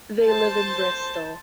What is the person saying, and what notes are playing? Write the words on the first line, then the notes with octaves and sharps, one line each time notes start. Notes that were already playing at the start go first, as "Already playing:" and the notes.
They live in Bristol.
C5 A5